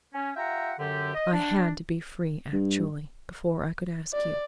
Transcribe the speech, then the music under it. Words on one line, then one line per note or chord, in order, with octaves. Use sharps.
I had to be free actually, before I could ask you....
C#4
F4 G4 E5 F#5 G5 A#5
F#2 D3 G4
D#5
D4
G2
D5